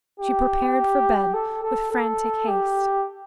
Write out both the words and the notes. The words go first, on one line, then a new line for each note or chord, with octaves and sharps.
She prepared for bed with frantic haste.
G4
A4
A4
A4
G4